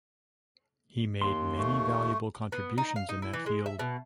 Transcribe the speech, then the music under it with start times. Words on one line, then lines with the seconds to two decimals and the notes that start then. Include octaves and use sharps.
He made many valuable contributions in that field.
1.22 D#2 C6
1.58 A3 C#6
2.52 B3
2.78 D#4
2.96 F5
3.09 D#4
3.22 E4
3.34 E3
3.46 G#3
3.66 E5
3.79 B2